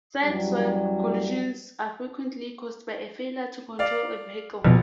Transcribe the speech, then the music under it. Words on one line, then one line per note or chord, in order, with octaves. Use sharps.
Sideswipe collisions are frequently caused by a failure to control a vehicle.
F#2 E3 F#3 G3
D5 F5
A#1 B2 F3